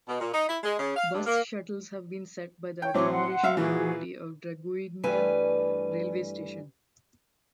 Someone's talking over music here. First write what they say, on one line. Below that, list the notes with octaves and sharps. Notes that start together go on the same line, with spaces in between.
Bus shuttles have been set by the agglomeration community of Draguignan railway station.
B2
A#2
D#4
E4
G#3
C#3
F5
G2
A#3
C#5 G5
A2 F#3 C4 C5 C#5 D6
F#5 C6
F#3 E5 F5
A#2 E3 F#4 G#4
G2 E3 G3 A3 B4 G#5